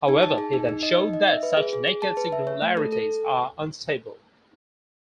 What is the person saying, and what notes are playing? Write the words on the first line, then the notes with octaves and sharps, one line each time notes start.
However, he then showed that such "naked singularities" are unstable.
D#4
A5
G#4
D#4
D#4
D#5
D#4
D#5
E5
B4
G#4
G#4
G#4
A5
B4
E5
C#5
A3
A4
A4